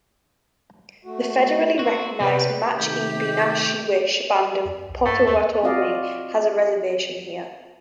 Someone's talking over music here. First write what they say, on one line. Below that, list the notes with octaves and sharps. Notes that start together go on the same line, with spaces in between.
The federally recognized Match-E-Be-Nash-She-Wish Band of Pottowatomi has a reservation here.
A3 F#4
C4 F#4
C3 B3 C4 B4 C#5 D5
C3 D#3 A3 G4
F2
B1
G2 A3
D#2 A3
C4 F4 F#4 D5 D#5 F5